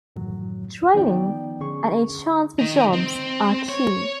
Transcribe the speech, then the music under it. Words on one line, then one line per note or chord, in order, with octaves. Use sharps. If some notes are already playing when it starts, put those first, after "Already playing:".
Training and a chance for jobs are key.
F#2 A2 D#3 E3 F#3
D#3 F3 B3 D#4 D5 G5
D3 C#4 G#4 C#6
D#3 D#4
C4
C#5